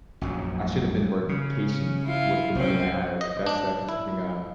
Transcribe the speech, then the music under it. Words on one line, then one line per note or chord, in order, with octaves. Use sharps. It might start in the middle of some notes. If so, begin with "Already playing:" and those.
I should’ve been more patient with the money I had, like, that's definitely something, uh
A#1 F#2 F#3
C#3
C#4
E4 F4
C2 F#3 C4 C#4
D#5
D4
E4